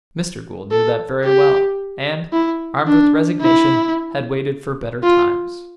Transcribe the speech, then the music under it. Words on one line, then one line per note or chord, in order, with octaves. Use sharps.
Mr. Gould knew that very well, and, armed with resignation, had waited for better times.
A4
G4
E4
D4
E4
F4